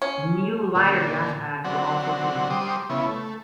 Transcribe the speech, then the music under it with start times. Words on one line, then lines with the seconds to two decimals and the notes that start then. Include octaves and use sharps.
New, lighter, gasbags were also fitted.
0.02 C#4
0.75 A#2 D3
1.65 D3 F#3 C4 F#5
2.50 G3 C5 D6 D#6
2.90 C#3 B3 E4
3.06 A3